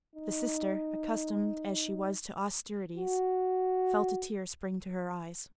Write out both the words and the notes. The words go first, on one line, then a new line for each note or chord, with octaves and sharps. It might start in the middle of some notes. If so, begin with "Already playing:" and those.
The sister, accustomed as she was to austerities, felt a tear spring to her eyes.
D#4
F#4